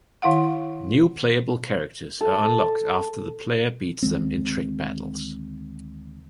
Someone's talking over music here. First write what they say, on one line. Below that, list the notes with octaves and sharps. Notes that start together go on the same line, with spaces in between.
New playable characters are unlocked after the player beats them in trick battles.
D#3 E4 F5 F#5
A4
D2 D#3 G#3 C4